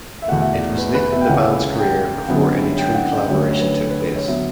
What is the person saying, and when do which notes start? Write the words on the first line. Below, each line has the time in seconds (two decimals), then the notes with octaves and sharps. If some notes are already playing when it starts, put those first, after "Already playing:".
It was late in the band's career before any true collaboration took place.
0.22 E5
0.28 E2 B2 A3 F#5
0.41 E5
0.53 D5
0.78 B4
0.94 B4
1.12 E5
1.21 G5
1.28 C#2 C#3 E3 F#5
1.79 G5
2.28 F#2 D3 F#3 B3 F#5
2.78 G5
2.95 F#5
3.12 D5
3.28 D2 D3 F#3 C#5
3.51 C#5
3.61 B4
3.79 A4
3.90 B4
4.03 B4
4.16 C#5
4.28 F#3 B3 E5